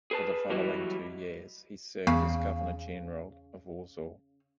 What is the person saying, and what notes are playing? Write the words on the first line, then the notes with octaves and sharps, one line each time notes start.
For the following two years he served as Governor-general of Warsaw.
G#4 B4 A5
E3 F#3 G3 E4 F#4 D#5
E2 C#3